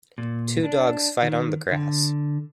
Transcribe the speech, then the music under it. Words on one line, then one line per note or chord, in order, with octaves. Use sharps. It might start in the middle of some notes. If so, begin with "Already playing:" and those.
Two dogs fight on the grass.
A#2
D4
D#3
D3